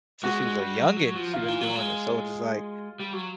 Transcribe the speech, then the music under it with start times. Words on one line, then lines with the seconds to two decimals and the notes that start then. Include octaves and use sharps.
since she was a youngin, she's been doing it. So it's just, like,
0.23 G#3 F#4
0.42 G#3
0.60 G3
0.78 F#3
0.97 F#3
1.16 F3
1.34 D#3 F4
1.48 E3
1.61 F#3
1.76 G#3
3.00 G3
3.13 F#3